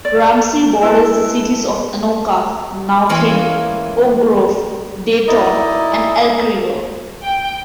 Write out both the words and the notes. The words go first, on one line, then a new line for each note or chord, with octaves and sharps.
Ramsey borders the cities of Anoka, Nowthen, Oak Grove, Dayton, and Elk River.
D5
E4 B4 A5
E3 G#3 A#3 C#4 E4 F4
D#4 E4 D5 D#5
G5